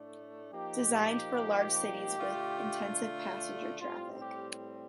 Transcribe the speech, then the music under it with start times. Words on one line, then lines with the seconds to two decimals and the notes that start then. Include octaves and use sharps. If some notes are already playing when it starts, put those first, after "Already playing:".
Designed for large cities with intensive passenger traffic.
Already playing: A2 A3 D4
0.53 F3 A#3 D#4 G4
2.17 D3 A3 D4 F4
3.80 A2 G3 C4 F4
4.21 G4